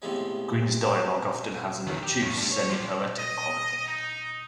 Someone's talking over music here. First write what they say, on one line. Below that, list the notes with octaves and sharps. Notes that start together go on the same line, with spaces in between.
Green's dialog often has an obtuse, semi-poetic quality.
A2 C3 F3 G#3 B3 C#4
D#3 E3
G4
F2 A2
G3 D4
C#5
F3 D5
D#5
D#4